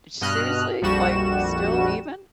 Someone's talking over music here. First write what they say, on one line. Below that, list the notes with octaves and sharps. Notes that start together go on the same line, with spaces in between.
seriously? Like, still even?
G2 B2 D#5 F6 F#6
A#1 F2 G3 F#4 E7